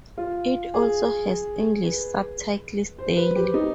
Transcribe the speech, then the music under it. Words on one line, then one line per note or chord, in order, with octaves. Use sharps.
It also has English subtitles daily.
F4
G#4
B4
C5
B4
G4
D#4